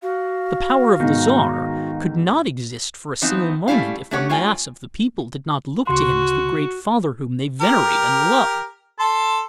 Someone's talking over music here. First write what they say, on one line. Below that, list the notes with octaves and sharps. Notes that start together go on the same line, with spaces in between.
The power of the Czar could not exist for a single moment if the mass of the people did not look to him as the great father whom they venerate and love.
F#4 F5
G#2 B2 D#3 D#4
E3 F3 B3 C4 D#4
G3 A3 C#4 E4 F5
A3 D4 G4 C#5 F#5
A3 F4 C#5 G5 G#5
D2 C#3 F#4 C6
G4 A#4
A4 A5 C6